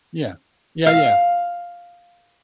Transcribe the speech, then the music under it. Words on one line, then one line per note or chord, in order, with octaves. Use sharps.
Yeah. Yeah, yeah.
F5